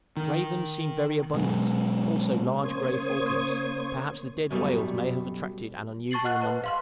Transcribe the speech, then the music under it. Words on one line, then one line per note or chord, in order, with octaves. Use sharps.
Ravens seem very abundant, also large grey falcons: perhaps the dead whales may have attracted an unusual number.
D#3
B2 F#3 G#3
C#3 A#3 C5 C#5 D#6 G#6
F#2 B2 F3 G3 A3
A5 C#6 A6 C7 F#7
D#5 F#5 F6 F#6
B4 A5
F5 C6 F6